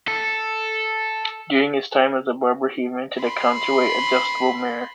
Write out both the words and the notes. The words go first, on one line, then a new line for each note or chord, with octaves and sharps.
During his time as a barber, he invented a counterweight-adjustable mirror.
A4
B5 C6